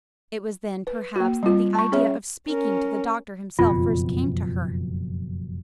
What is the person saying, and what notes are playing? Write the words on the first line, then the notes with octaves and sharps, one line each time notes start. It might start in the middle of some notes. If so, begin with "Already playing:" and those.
It was then, perhaps, that the idea of speaking to the doctor himself first came to her.
B4
A#3 F#4
G3 C4 F4
A5 C#6
C#4 G#4 C#5 E5
C#4 A#4
F#1 F2 B2 F4